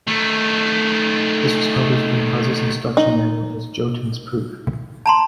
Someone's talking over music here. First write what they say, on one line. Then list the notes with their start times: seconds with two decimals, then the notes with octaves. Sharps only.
This was published in the puzzle's instruction manual as "Jotun's Proof".
0.07 D#3 A3
2.97 D#4
5.06 A5 A#5 C6